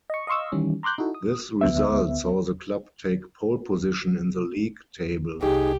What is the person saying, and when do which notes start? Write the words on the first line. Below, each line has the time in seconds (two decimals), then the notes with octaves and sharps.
This result saw the club take pole-position in the league table.
0.10 D#5 C#6
0.27 D#5 F5 C6 C#6 E6
0.52 D#3 E3 G3 C#4
0.83 A#5 C6 D6 F#6 G6
0.98 D#4 E4 F#4 A4
1.14 D#6
1.61 D2 B3 E5
5.43 C2 D#4 G4 G#4